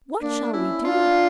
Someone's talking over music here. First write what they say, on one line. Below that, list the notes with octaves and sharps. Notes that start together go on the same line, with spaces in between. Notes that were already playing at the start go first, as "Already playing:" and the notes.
What shall we do?
A#3 D4
C#4 E4
D4 F4